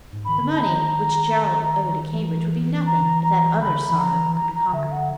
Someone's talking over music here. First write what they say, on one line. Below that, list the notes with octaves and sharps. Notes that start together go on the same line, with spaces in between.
The money which Gerald owed at Cambridge would be nothing if that other sorrow could be conquered.
G#2
D#3 B5
D3
A5
D#3 A#5
E3
A#5
A#5
D3 B5
E3
F3 A#5
F3
E3
A#5
A#5
D3 E5
F#5